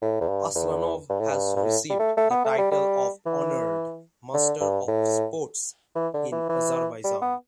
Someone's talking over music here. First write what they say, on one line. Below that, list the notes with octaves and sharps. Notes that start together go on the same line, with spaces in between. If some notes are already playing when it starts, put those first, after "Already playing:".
Aslanov has received the title of "Honored Master of Sports" in Azerbaijan.
A2
E2
G2
E2
G2
A2
G2
G2
A2
G3
A3
A3
B3
A3
G3
G3
E3
D3
G2
A2
E3
D3
E3
E3
G3
B3